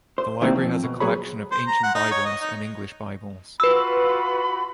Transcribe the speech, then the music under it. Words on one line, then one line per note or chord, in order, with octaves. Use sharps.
The library has a collection of ancient Bibles and English Bibles.
C5
D#3 E3 G3 A#3 C4
F2
B2
F#3 B3 G#4 C#5 B5
C5
A#5
F#5
D#4
C#5
D#5
D#4
F4 F#4 B4 B5 E6